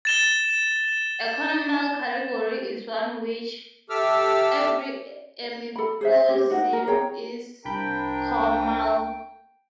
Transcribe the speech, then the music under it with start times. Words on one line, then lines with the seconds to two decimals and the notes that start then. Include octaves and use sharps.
A conormal category is one in which every epimorphism is conormal.
0.05 A6 E7 G7
3.90 G4 A4 E5 D6 E6 F6
5.76 A4 B5
6.01 G#4 C5 E5
6.29 G4 C5
6.50 D#4 F#4 A#4 F#5
6.73 A#4
6.87 G#4 C#5 G5 A#5
7.65 C2 F3 D4 A#4 G5 B5 G6